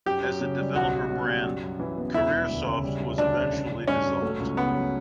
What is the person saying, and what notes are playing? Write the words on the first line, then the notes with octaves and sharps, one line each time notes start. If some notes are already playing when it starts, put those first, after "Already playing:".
As a developer brand, Career Soft was eventually dissolved.
F#2 G4
F#2
C#3
G3
B1 F#4
B1
B2
G3
F#2
F#2
E3
B3
E1 E4
E1
D2
C#3
G3
E1
D2 D4
C#3
A1
A1
G2 C#4
F#3
A3
C#2
C#3 B3
F#3